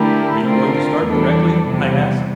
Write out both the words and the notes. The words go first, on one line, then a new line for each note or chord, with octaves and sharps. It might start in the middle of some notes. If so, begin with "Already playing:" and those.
"Are you going to start directly?" I asked.
Already playing: D3 A3 E4 G4 A#4
D3 A3 C4 F4 A#4
E2 E3 G3 D4 A4
E2 C3 G3